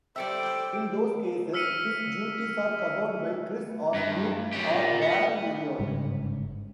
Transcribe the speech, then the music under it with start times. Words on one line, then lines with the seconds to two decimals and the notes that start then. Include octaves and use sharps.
In those cases, his duties are covered by Chris Osgood or Darren Eliot.
0.16 G3 A4 C5 D5 E5 G5 E6
1.54 E6 F6 B6 C#7 D#7
3.94 G2
4.53 F#3 G4
4.70 A#2
5.02 B3
5.79 G1 G#2 C#3 G3